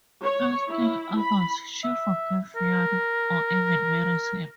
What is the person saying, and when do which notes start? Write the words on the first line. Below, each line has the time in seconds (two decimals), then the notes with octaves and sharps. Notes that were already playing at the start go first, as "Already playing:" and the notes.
In still others she forgives Fionn, or even marries him.
0.23 C#5
0.70 E4
1.20 B5
1.84 E5
2.56 A#4